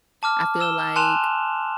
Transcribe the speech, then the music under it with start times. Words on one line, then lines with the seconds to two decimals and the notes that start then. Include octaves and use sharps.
I feel, like,
0.23 A5 D6 F6
0.60 E6 E7 G7
0.96 G#5 A5 C6 F#6 E7 F7